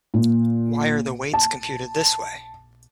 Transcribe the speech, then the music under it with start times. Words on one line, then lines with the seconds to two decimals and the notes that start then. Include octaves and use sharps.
Why are the weights computed this way?
0.14 A#2
1.34 A5